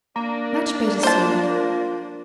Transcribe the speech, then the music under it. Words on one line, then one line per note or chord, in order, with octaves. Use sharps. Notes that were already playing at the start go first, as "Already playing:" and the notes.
'Much better so.
A#3 D4
F4 C5 A5